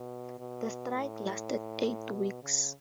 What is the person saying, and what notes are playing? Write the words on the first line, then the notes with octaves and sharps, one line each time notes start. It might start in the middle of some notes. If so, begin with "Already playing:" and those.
The strike lasted eight weeks.
Already playing: B2
B2
A2
B2
C#3